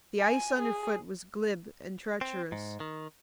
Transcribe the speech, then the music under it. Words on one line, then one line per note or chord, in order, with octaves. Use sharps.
The ice underfoot was glib and treacherous.
G#5
G#4
C4
G#2
D#3